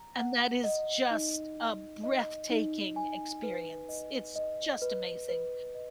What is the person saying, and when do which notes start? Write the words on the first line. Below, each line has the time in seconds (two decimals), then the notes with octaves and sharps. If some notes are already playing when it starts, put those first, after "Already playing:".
And that is just a breathtaking experience, it's just amazing!
Already playing: A#5
0.18 F#5
0.64 D#5
1.11 D#4
1.57 D#4
2.04 D#5
2.50 D#4
2.96 G#5
3.43 B4
3.89 D#5
4.36 D#5
4.82 B4
5.28 B4
5.75 D#5